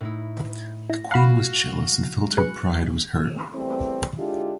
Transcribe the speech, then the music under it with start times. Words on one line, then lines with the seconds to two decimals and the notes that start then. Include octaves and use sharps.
The Queen was jealous and felt her pride was hurt.
0.01 A2 D#4 E4
0.90 E4 A#6
1.11 F#4 F5 F#5 B5
2.37 G#4 B4 F#6 C#7
3.53 E2 E3 G3 A3 C4
4.17 D3 G#3 D4 E4 F4 G4